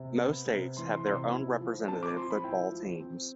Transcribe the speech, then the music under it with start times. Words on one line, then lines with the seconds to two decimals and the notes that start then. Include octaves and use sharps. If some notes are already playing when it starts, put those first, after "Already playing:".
Most states have their own representative football teams.
Already playing: C3
0.21 B3
0.49 C3
0.77 E3 C6
0.92 C6
1.05 C3 C6
1.33 E4
1.61 F3
1.88 C4 A5
2.03 D6
2.16 F3 C6
2.30 B5
2.43 E4 G5
2.72 F3
3.00 C4